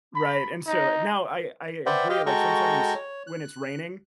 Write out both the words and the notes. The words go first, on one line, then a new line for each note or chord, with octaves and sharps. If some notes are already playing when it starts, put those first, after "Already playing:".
Right, and so now, I I agree, like, sometimes when it's raining,
B5
D#4
B4 C5 D5 E5 F#5 G5
G4 D#5 F5 G5
G#3 F#4 A4 G5 A#5 C#6
C#5
F#6